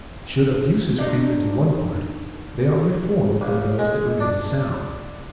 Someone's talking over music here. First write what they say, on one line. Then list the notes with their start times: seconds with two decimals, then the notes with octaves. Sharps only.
Should abuses creep into one part, they are reformed by those that remain sound.
0.99 D4 D#4
3.41 A#1
3.79 G#3
4.20 D4